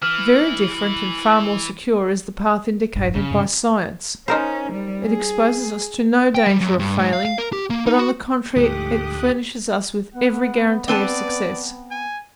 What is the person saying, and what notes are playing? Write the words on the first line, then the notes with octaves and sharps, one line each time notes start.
Very different, and far more secure, is the path indicated by SCIENCE; it exposes us to no danger of failing, but, on the contrary, it furnishes us with every guarantee of success.
E3 F6 F#7
F1 A#1 G2
C#3
G2 C3
C#4 D#4 A#4 C5
G3
G#4
G5
G3
F#2
G2
G#2
F5
F5
A#4
G4
A#3
D#4
F#4
D2 G#2 D3 F3 A3 G4 D#6 F#6
B3 F#5
C4 B4 D5 A5
G#5